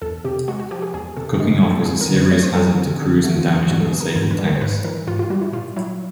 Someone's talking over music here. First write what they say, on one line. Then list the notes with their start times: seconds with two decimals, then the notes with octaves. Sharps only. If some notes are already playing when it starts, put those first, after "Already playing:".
Cooking off is a serious hazard to crews in damaged and disabled tanks.
0.02 E2 A4
0.25 C3 G4
0.48 G#3 F#4
0.60 F#4
0.71 F3 G4
0.82 G#4
0.94 E2 G#4
1.17 C3 A4
1.40 G#3
1.56 A4
1.63 F3
1.71 A4
1.86 F2 G#4
2.01 A#4
2.09 D3
2.16 B4
2.31 A3 C#5
2.43 C5
2.55 F#3 A4
2.67 A#4
2.78 F2
3.01 D3 G4
3.24 A3 F#4
3.39 F4
3.47 F#3
3.54 F4
3.69 G#2 F#4
3.80 A4
3.86 G#4
3.93 E3
4.00 A#4
4.15 G#2 A#4
4.31 B4
4.39 G3
4.46 A#4
4.56 C5
4.61 G#2 B4
4.85 E3 A#4
5.07 G#2 F4
5.19 F4
5.30 G3 F#4
5.41 E4
5.53 A#2 F4
5.76 F#3 E4